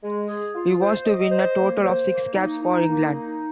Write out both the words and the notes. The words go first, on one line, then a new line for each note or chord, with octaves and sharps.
He was to win a total of six caps for England.
G#3
G#4
F4
C5
D#5
C5
A#3
C5
A#3
D#4
D#4
A#3
D#4